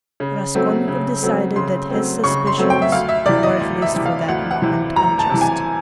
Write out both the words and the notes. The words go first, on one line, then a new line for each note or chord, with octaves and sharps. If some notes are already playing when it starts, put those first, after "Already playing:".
Raskolnikov decided that his suspicions were at least for that moment unjust.
C#3
F#3 A3 C4
C#3
F#3 A3 C4
C#3 C6
F#3 A3 C4
C#3 C#6
C6
F#3 A3 C4
G5
E5
D2 F5
E5
C3 E3 D5
D#5
D2
E5
C3 E3
F5
D2 F#5
F#5
C3 E3
D2 A#5
A5
C3 E3
G#5